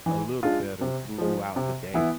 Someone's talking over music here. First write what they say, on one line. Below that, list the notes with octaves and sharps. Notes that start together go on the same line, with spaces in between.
a little better throughout the day,
E3
G#3 D4 F4
C3
F3 G#3
C3
E3 B3 E4